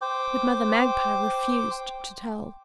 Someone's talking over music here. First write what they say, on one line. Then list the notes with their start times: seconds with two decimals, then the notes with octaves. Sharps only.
But Mother Magpie refused to tell.
0.02 C5 G5 D6